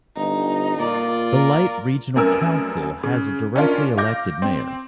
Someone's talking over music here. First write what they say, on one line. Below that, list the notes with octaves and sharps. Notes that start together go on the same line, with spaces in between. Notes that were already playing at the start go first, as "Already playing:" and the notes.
The Light Regional Council has a directly-elected mayor.
G1 D#4
A#2 F4 D5
A#4
F1 F#2 A#4 G#5 E6
C#3
C#4 D4 F4 A#4
F5 D6 G6 A#6
C4